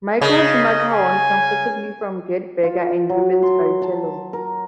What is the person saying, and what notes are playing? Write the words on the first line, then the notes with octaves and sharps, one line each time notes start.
Michael Schumacher won comfortably from Gerhard Berger and Rubens Barrichello.
C#3 D#5
G#5
F4
F#3
C6
A5
A#4